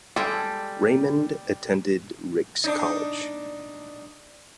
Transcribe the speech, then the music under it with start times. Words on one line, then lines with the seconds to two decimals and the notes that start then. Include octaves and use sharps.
Raymond attended Ricks College.
0.16 G3 G#3 A4 G5
2.64 D4 D#4